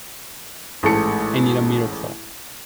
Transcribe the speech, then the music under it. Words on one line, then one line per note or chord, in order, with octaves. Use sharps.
I need a miracle.
A1 G#2 A3 A5 C#7